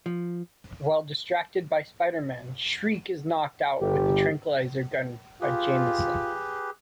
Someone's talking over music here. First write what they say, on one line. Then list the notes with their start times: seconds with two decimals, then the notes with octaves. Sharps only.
While distracted by Spider-Man, Shriek is knocked out with a tranquilizer gun by Jameson.
0.06 F3
3.81 G1 G4
5.41 F4 G4 G#4 B4